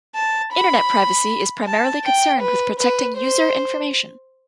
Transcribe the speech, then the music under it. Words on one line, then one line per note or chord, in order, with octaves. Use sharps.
Internet privacy is primarily concerned with protecting user information.
A5
B5
A5
G5
B4
B4
C5